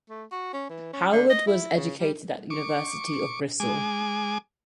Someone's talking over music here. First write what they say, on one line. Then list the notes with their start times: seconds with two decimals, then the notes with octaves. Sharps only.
Howard was educated at the University of Bristol.
0.10 A3
0.32 F#4
0.53 C#4
0.69 E3
0.93 C#4
1.12 D3
1.30 D#5
1.47 E4
1.76 C#3
2.00 G3
2.50 C#6 D6
3.60 G#3 G#5 D6